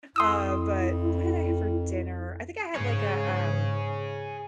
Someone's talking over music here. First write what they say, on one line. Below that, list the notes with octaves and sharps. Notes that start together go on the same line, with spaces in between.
Uh, but what did I have for dinner? I think I had, like, a, um
F2 E4 C6 D#6 E6
G#2 C#3 G#4 C#5